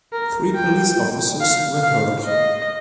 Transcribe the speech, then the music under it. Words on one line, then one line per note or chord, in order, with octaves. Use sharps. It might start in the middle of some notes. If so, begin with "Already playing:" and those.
Three police officers were hurt.
A#4
G5
F5
F5
D#5